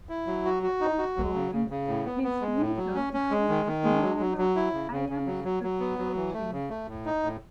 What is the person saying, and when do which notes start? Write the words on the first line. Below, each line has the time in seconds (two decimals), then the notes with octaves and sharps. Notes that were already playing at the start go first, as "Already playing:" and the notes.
Although in this meter the foot is no longer iambs but trochees.
0.09 E4
0.27 F#3
0.45 F#4
0.63 F#4
0.81 D#4
0.98 F#4
1.16 F#3
1.34 C#3
1.52 C#3
1.70 C#3
1.87 A2
2.05 B3
2.23 B3
2.41 G#3
2.59 A2
2.77 F#3
2.95 C#4
3.13 C#4
3.30 G#3
3.49 D#3
3.66 D#3
3.84 G#3
4.02 F#3
4.20 F#3
4.38 F#3
4.56 E4
4.73 C#3
4.91 C#3
5.09 C#3
5.27 F#3
5.44 F#3
5.63 F#3
5.80 B3
5.99 F#3
6.16 E3
6.34 A3
6.52 C#3
6.70 A3
6.88 A2
7.05 D#4
7.23 A2